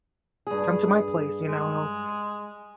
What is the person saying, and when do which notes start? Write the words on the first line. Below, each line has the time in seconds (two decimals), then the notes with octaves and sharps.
come to my place," you know, "it'll
0.47 G2 G#4
1.48 G#3